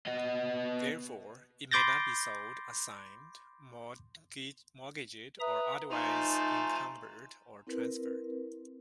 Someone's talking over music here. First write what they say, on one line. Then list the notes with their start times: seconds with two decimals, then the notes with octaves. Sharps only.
Therefore, it may not be sold, assigned, mortgaged, or otherwise encumbered or transferred.
0.07 B3 D#5
1.71 B5 C6 D6 G6 A6 A#6
5.40 B4 E5 A#5 D#6
5.91 F3 A3 D#4 C5 G#5 A#5
7.67 C4 E4 A#4 B4